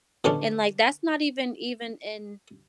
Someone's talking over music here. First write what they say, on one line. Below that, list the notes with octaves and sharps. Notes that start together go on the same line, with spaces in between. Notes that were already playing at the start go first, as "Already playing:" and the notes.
and, like, that's not even even in
B2 D3 C#4 D4